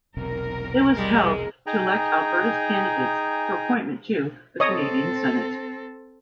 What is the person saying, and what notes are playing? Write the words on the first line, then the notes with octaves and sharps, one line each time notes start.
It was held to elect Alberta's candidates for appointment to the Canadian Senate.
E1 B1 C3 A#4
G3 G#3
D#4 G#4 G5 G#5 A#5
C4 A4 C#5 D#5 D#6